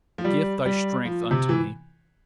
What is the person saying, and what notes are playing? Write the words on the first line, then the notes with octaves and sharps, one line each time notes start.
Gift thy strength unto me.
F3
G3
G3
F3
C3
E3